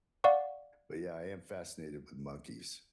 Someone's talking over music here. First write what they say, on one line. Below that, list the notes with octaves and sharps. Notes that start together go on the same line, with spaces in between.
but, yeah, I am fascinated with monkeys.
D5 F5 F#5 C#6